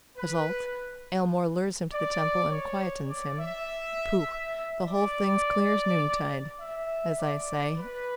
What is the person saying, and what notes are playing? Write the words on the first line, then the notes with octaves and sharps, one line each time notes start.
Result--Aylmore lures him to the Temple and quiets him. Pooh!--the whole thing's clear as noontide, as I say.
B4
D5
C#5
D5
E5
D5
E5
D5
B4